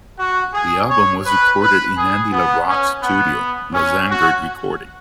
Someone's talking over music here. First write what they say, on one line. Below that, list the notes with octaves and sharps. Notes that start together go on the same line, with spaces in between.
The album was recorded in Andy LaRocque's studio Los Angered Recording.
F#4
G#4
C#5
B4
B4
G#4
B3
C#4
B3
C#4
F#4